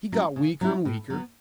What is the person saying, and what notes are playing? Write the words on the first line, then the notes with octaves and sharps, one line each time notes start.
He got weaker and weaker.
F#3 C#4 E4
C#3
F#3 C#4 E4
A2
F#3 B3